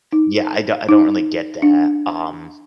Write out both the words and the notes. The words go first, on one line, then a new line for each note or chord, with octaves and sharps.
Yeah, I don't I don't really get that, um
D#4
D#4
D4